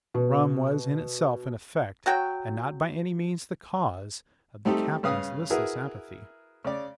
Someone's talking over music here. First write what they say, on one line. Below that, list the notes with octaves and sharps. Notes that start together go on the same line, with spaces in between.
Rum was in itself an effect, and not by any means the cause of the Captain's listless apathy.
B2
F#3 F#4 C#5 G5
G3 A3 C4 D#4 G4 A4
G2 C#3 B4 F5 D#6
E4 F#4 G#4 A#4 B4 E5
C#3 D5